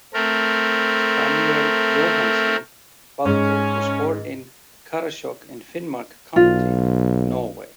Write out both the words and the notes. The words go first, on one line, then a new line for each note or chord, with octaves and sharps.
Samuel Johannesen Balto was born in Karasjok in Finnmark county, Norway.
A3 C4 A#4
G#2 C#4
B1 F4